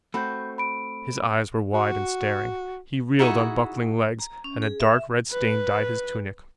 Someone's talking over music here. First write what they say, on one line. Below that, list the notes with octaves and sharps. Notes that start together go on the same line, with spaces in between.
His eyes were wide and staring; he reeled on buckling legs, and a dark red stain dyed his tunic.
A3 C4 F#4 B5 G6
B5 D7
F#4
D#4 E4 F#4 G#4
A#5
C#4
G#4
E5
B4